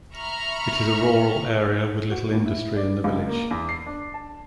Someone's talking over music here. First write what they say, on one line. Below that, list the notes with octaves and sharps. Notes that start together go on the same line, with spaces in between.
It is a rural area with little industry in the village.
E5 A#5 B5 C#6 F6
F#4
A#2
E4
D5
C#2
A#3
E2
C7
D4
A5